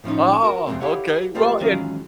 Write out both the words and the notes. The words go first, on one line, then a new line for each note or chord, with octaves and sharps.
Oh, okay, well and
A2 F3 C#4 D#4
F#4 A#4
F2 C3 G#3 C4
E4 G4 A4 C#5 F5 F#5
G3 A3 F4 G4 A#4 C5
D#3 E3 F#3 G#3 C#4 F4